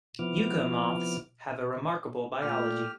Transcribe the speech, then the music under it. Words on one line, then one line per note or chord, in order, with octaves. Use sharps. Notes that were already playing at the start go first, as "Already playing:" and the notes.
"Yucca moths" have a remarkable biology.
C3 F3 B3 E4 D6 F6
A#2 A3 G4 F6